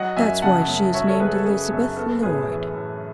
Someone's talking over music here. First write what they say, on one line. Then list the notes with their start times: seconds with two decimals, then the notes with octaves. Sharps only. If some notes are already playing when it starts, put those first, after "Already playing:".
That's why she is named Elizabeth Lloyd.
Already playing: F#3 D#5 F#5
0.16 F#2 E5 G#5
0.42 C#3 F#5 A5
0.68 F#2
0.94 F#3 C#5 E5
1.07 A4 C#5
1.19 F#2 G#4 B4
1.32 A4
1.45 C#3 G#4
1.71 F#2
1.97 B3 A4
2.23 A2 G#4 B4
2.48 E3
2.74 A2